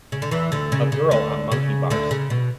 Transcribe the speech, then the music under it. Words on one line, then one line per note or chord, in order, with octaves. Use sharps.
A girl on monkey bars.
C#3
D3
E2 E3
D2 D3
C#3
C#3
D2 D3
C#3
D2 D3
C#3
B2